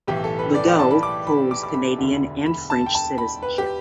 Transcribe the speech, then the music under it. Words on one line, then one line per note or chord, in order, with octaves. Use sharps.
Legault holds Canadian and French citizenship.
B1 A2 E3 G4
A4
B4
D5
G5
A5
B5
D6
B5
D6
D6
B5
E1 D2 D3
B5
A5
G5
A5
B5
B4
G4